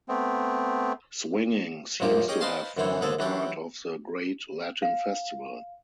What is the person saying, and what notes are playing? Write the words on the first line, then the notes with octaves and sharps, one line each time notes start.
Swinging seems to have formed part of the great Latin festival.
A3 B3 C4
A1 F#2 A#2 F3 A#3 G4
C#4 G4 G#4 D#5
B4 C5 D#5 F5 A5 C6
F#2 D3 E3 C5 C#5
D#2 G#2 D3 G#4 A4
E3 F#3 D4 G4
F5